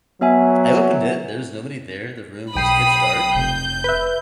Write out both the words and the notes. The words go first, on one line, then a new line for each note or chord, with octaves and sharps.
I opened it, there's nobody there, the room was pitch dark.
F#3 B3 E5 G#5
B1 G5 B5 D#6 C7
F1 G6
B4 E5